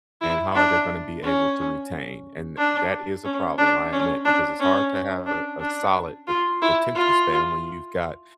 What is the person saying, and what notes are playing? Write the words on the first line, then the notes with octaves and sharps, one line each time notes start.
and "how are they gonna be able to retain?" And that is a problem, I admit, because it's hard to have a solid at attention span when you've got
E4
D4
C#4
D4
C#4
D4
C#4
D4
C#4
D4
D4
F4
E4
F4